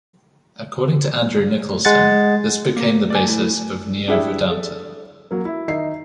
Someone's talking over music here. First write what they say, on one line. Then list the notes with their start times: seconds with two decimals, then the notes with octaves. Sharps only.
According to Andrew Nicholson, this became the basis of Neo-Vedanta.
1.85 G#3 F#5 A6
2.76 A#3 A#4
3.10 D5 G#5
3.24 A3 E4
4.08 D4 E4 G4 G#4 E5
4.50 A4
5.31 F#3 A#3
5.45 E4
5.68 D#3 D#4 E5 C7